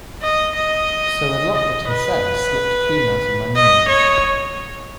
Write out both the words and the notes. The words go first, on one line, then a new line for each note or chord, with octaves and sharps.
So a lot that he said slipped clean out of my memory.
D#5
D#5
D#5
B4
D#5
C#5